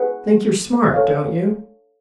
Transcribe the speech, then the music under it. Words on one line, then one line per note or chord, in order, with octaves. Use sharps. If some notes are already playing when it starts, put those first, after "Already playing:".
Think you're smart, don't you?
Already playing: G#4 B4 F#5
A4 C#5 F5